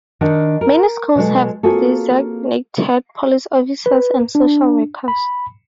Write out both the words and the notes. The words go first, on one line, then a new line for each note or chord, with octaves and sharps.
Many schools have designated police officers and social workers.
D#3 D4 F#5
A#4
B2 F#3 G#3 A4
A#3 C4 F4 F#4 G#4 A4
B4
D4
B5